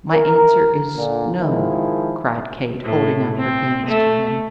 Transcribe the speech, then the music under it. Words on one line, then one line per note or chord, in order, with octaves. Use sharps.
"My answer is 'no,'" cried Kate, holding out her hands to him.
A#4
A#2 D3
D#3 F3 G#3 E4
A2
C4
A3